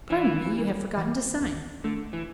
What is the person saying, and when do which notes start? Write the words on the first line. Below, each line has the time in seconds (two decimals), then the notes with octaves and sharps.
"Pardon me, you have forgotten to sign."
0.10 E3 D4
0.53 G3
0.97 E3
1.41 D2
1.84 D3 A3
2.13 E3